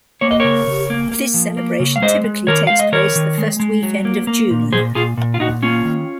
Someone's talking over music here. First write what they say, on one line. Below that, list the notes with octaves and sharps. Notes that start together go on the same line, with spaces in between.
This celebration typically takes place the first weekend of June.
A#3 C#5
D#5
C#3 A#4 C#5
C#3
A#3
A#3
F3
A#3
C#3
F5
G#3 C5 D#5
G#3
D#3 A#4 C#5
G#3 F5
D#5
D#3 A#4 C#5
D#3
G#3
G#3
F#3
A#3
A#3
A#2
A#2 G#4 C5
A#2 F4 G#4
A#2
F4
A#2 D#4 F#4
A#3 C#4 F4
D#3